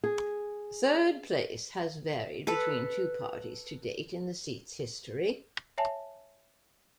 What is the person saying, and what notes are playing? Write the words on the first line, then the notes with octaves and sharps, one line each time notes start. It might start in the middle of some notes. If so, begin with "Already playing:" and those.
Third place has varied between two parties to date in the seat's history.
G#4
A4 B4
C#5 E5 G#5 A5